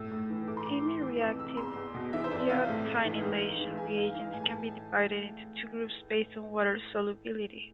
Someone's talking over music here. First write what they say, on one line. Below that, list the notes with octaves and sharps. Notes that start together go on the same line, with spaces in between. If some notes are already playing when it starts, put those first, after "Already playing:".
Amine-reactive biotinylation reagents can be divided into two groups based on water solubility.
Already playing: A2 E6
A2
E3
A2 D6
C6
A2 D6
E3
E3 D6
F2 E6
C3 E6
E2 C6
E2
B2
E3 E5
C5
F2 D5
C3 F5
A2
A2
E3
G#2
G#2
E3
G#2 G#5
G#2 F5
E3 F5
A2 G#5
A5